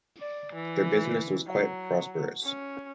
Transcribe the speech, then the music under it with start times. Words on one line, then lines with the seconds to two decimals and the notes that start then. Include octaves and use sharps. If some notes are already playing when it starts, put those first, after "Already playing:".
Their business was quite prosperous.
0.19 D5
0.54 E3
1.47 F#3
2.43 C#4